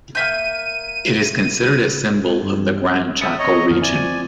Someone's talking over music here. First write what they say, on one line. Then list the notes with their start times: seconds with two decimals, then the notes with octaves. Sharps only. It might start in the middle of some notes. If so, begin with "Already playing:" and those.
It is considered a symbol of the Gran Chaco region.
0.15 A#3 E5 G6 D#7
2.42 G2
3.21 E5 D#6 A6 C#7
3.39 C#5 D#5 A#5
3.56 B3
3.70 F2 D3 F6
3.82 E4 D5 G#5
3.93 F3 C4 D#7